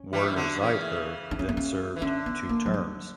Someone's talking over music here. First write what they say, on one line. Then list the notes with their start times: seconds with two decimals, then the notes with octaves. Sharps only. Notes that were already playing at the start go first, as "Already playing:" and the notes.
Werner Zeitler then served two terms.
Already playing: C#4
0.13 E3 G3
0.36 D3 F#3
0.60 C#3 E3
1.31 D4
1.39 C#4
1.49 B3
1.57 C#4
1.96 E3
2.02 D3 C#4
2.26 B3
2.49 A#3
2.66 F#3
2.74 G3